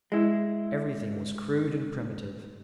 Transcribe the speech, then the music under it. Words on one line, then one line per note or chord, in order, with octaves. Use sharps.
Everything was crude and primitive.
G#3 E4